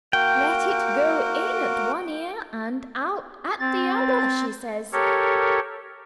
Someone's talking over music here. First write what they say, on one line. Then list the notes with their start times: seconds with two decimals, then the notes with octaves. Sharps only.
'Let it go in at one ear and out at the other,' she says.
0.13 A#3 F#4 A#4 G5
3.60 C4 A6
4.93 G4 A4 A#4 C#5